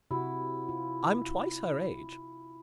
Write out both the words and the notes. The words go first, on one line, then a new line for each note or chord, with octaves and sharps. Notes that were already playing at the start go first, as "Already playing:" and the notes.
I'm twice her age.
C3 E4 F#4
F4